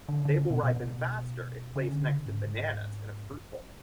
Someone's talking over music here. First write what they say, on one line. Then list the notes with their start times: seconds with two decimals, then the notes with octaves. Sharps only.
They will ripen faster if placed next to bananas in a fruit bowl.
0.09 D3
0.25 D3
0.38 C#3
0.51 B2
0.63 B2
0.76 B2
1.76 C#3
1.93 D3
2.10 C#3
2.26 G#2
3.27 F#2